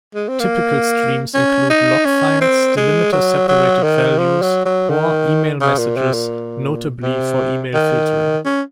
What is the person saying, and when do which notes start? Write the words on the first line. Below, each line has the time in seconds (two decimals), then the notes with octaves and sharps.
Typical streams include log files, delimiter-separated values, or email messages, notably for email filtering.
0.15 G#3
0.28 C4
0.40 A#3
1.34 C#4
1.70 D#4
2.05 C#4
2.41 C4
2.77 G#3
3.12 F#3
3.48 F#3
3.83 D#3
4.18 F3
4.42 F#3
4.65 F#3
4.90 D#3
5.61 C#3
5.78 A#2
5.97 C3
6.14 A#2
7.03 C3
7.74 D#3
8.45 C#4